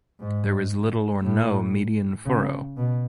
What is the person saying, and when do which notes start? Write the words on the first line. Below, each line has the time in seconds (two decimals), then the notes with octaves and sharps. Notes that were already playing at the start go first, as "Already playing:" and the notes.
There is little or no median furrow.
0.20 G#2
1.22 A2
2.25 C#3
2.77 B2